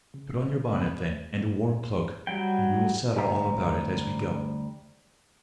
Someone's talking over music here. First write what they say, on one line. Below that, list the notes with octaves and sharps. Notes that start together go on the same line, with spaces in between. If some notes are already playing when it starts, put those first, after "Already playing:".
"Put on your bonnet, then, and a warm cloak, and we will settle all about it as we go."
C#3
C#3 A#3 B3 B5 F#6
F#3 G3 G5
D2 G3 G4 C5 E5 A#5